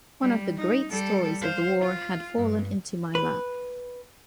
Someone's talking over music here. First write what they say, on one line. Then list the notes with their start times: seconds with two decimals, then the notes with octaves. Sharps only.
One of the great stories of the war had fallen into my lap.
0.22 G3
0.57 D#4
0.90 G3 A4
1.41 C5 F5
1.80 F4
2.36 G2
3.15 B4